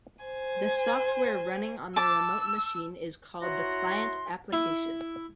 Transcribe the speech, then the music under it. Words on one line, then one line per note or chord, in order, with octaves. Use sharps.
The software running on the remote machine is called the client application.
C5 G#5
A5 D6 E6
E4 F#4 C#5 F#5 A#5 C6
E4